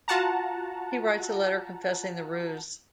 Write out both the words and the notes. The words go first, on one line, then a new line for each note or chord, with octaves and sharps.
He writes a letter confessing the ruse.
F4 F#4 F#5 A5 A#5